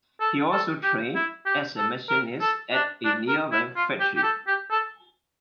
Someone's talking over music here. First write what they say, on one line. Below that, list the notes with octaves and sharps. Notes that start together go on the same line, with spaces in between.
He also trained as a machinist at a nearby factory.
A4
A4
G4
E4
G4
A4
A#4
A4
D4
D4
A#4
E4
F4
G4
G4
A4
G4
A4